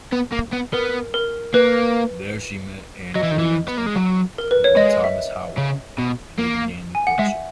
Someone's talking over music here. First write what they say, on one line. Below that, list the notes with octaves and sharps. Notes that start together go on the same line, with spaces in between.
There she met Anne Boleyn's uncle, Lord Thomas Howard, and they began their courtship.
B3
A#3
B3
B3 A#4
A#4
A#3 B4
F#3 D#5
E3
D#3
E3
B3
A#3
G#3
F#3
A#4
B4
C#5
G#3 D#5
E5
C#3
B2
A#3
G#5
F#5
G#3 E5